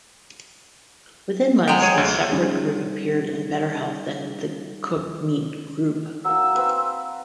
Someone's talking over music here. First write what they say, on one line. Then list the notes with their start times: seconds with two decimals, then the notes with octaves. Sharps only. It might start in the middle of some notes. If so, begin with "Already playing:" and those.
Within months this separate group appeared in better health than the cooked meat group.
1.68 F#3 G#3 G5
1.81 G#4 C#5 D#7
1.98 D2
2.30 D3 G3 C#4 D#4 G#4
6.25 F#3 A#3 E6
6.55 C4 B4